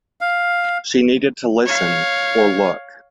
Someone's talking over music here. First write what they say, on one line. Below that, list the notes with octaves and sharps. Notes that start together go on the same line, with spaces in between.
She needed to listen "or" look.
F5
C#5 F5